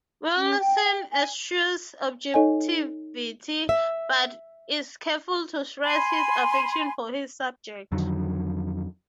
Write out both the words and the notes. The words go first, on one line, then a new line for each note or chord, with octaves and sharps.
Wilson eschews objectivity, but is careful to stress his affection for his subject.
C#4
G5
G5
G#5
D#4 A4 C#5 D#5 G#5
E5
G#5 B5 C6
F2 D3 D#3 F#3